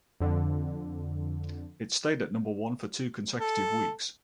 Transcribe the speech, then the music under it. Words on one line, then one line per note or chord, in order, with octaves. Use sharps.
It stayed at number one for two consecutive weeks.
F2 D3
A4